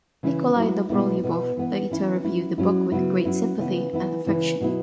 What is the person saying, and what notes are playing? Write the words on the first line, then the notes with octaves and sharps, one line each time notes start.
Nikolai Dobrolyubov later reviewed the book with great sympathy and affection.
C#3 E3 C#4 E4
F#3 E4
B2 G#3 B3 E4
B2 B3 E4
E3 B3 E4
E3 C#4 E4
F#3 C#4 E4
F#3 C#4 E4
C#3 F#3 B3 E4
F#3 C#4 E4
C#3 E3 B3 E4
E3 B3 E4
C#3 E3 B3 E4
B2 F#3 B3 E4